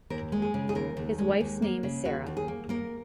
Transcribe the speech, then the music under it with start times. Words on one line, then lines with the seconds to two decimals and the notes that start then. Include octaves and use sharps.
His wife's name is Sarah.
0.10 D#2 A#4
0.32 G#3
0.42 G#4
0.54 C#3
0.69 G#4
0.75 D#2 A#4
0.97 D#2
1.18 G#3
1.41 D#2
1.62 A#3
1.83 C#3
2.05 D#2 F#4
2.26 D#2
2.37 G#4
2.48 A#3
2.69 A#3 A#4